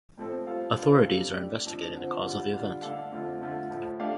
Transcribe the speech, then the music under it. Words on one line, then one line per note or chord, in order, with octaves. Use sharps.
Authorities are investigating the cause of the event.
A2 F3 A3 C4 A4
G3 F4 A4 C5 F5
A3 D4 F4 C5 F5
C3 G3 D4 A4 F5
A3 D4 G4 D5
F2 F3 D4
D3 F3 C4
D3 G3 F4
D3 G3 D4 F4
D3 A3 D4 A4 F5
F2 D3 A3 F4
D3 A3 F4
A2 F3 A3
A3 D4 G4 F5